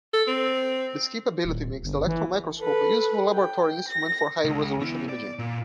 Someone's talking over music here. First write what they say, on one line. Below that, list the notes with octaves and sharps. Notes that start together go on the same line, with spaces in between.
This capability makes the electron microscope a useful laboratory instrument for high resolution imaging.
A4
C4
D#1
G1
E3
A4 B4
G5
A#6
C#2
B3 E4
D5
A#2